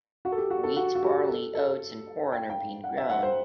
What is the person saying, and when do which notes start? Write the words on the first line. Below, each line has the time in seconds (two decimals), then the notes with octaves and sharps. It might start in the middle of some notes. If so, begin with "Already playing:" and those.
Wheat, barley, oats and corn are being grown.
0.25 F#4
0.32 A4
0.38 G4
0.50 F#4
0.64 A4
0.76 F#4
0.95 F#4
1.03 G4
1.29 A4
1.55 A4
2.32 G5
2.50 G5
2.84 F#5
2.97 E5
3.10 F#5
3.23 C5